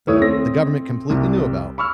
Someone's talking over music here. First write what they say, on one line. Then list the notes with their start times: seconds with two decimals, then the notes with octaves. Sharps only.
the the government completely knew about,
0.07 D#2 A3 E4 C#5 D#6
0.21 A3 C4 A#6
1.10 C2 C3
1.78 B5 C#6 E6 F6